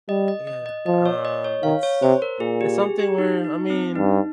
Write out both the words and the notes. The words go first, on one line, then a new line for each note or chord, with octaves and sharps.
I yeah, um, it's it's something where, I mean,
G3 D#5
D#5
D#5
D#5
F3 D#5
C#5
D#5
C#5
D#3 F5
C#5
C3 C5
A#4
A#2 G#4
G4
G#4
G4
D#4
D#4
C4
G2 D#4